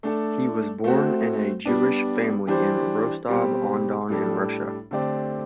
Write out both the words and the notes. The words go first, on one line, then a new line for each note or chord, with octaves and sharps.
He was born in a Jewish family in Rostov-on-Don in Russia.
A3 D4 A4
A3 C4 F#4
G3 B3 D4
E3 G3 D4 G4 C5
B2 G3 C4 G4
A2 G3 D4 A4
D3 A3 C4 G4 D5